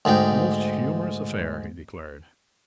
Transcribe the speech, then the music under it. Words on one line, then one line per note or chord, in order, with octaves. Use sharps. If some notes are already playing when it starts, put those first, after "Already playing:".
"Most humorous affair!" he declared.
D2 G#2 D#4 G5